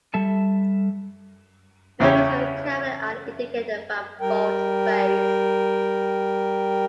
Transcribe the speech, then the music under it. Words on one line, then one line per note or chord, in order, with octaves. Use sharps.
Members of the Cabinet are indicated by bold face.
G3 A4 E5 A5
E2 C#3 E4 G4 C#5
G3 A#4 G5